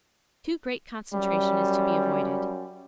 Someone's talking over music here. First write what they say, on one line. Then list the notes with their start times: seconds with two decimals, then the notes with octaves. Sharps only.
Too great concentration is to be avoided.
1.14 F#2 G3